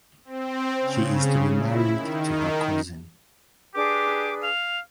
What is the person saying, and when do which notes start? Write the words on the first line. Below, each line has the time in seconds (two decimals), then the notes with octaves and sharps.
She is to be married to her cousin.
0.25 C4
0.80 C#3
1.64 E4
1.94 D#3
3.75 D4 G4 G#4 B4 D6
4.43 F5 F7